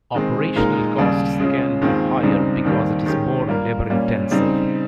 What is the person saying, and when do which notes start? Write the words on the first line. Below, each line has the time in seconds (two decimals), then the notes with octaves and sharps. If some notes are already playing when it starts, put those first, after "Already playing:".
Operational costs can be higher because it is more labor-intensive.
0.15 D#3 G#3 C4
0.56 A#2 G#3 D#4 A#4
0.98 D#2 C#3 G3
1.40 C#3 G#3 C#4 F4
1.81 D#2 D#3 G#3 C4 F4
2.23 C#2 C#3 G3 C4 D#4
2.64 D#2 D#3 G3 C4 G4
3.06 D#3 G#3 C#4 G4
3.48 G3 A#3 F4 A#4
3.90 A#2 G3 A#3 C#4
4.31 C#3 G3 C4 D#4